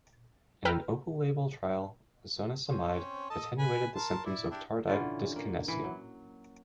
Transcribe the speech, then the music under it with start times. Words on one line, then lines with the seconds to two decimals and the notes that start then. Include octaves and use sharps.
In an open-label trial zonisamide attenuated the symptoms of tardive dyskinesia.
0.65 B4 G5 A#5 E6 F6
2.68 C4 C#4 C5
3.30 A4 D#5 A5
3.59 B4 G#5 B5
3.95 A#4 A5 C6
4.25 E4 D5
4.50 D4 E4 G4
4.88 D3 E3 C#4 F4
5.36 A#3
5.68 E3
5.84 F#3